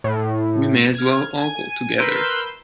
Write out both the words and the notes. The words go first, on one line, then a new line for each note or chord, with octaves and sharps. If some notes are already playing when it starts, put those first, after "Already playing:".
We may as well all go together.
A2
F6 G#6
G#5
A#4 B4 C6 E6 G6